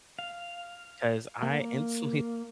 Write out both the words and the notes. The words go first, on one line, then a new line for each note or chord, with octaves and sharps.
'cause I instantly
F5
A#3
A#3